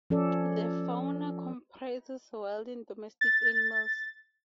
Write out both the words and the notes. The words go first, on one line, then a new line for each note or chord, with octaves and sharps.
The fauna comprises wild and domestic animals.
F3 C#4 A4 D5
A6